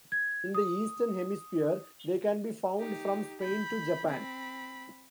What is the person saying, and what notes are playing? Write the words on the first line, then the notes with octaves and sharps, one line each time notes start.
In the eastern hemisphere, they can be found from Spain to Japan.
G#6
D#6
D#4 G4
B5 G6
C4 B5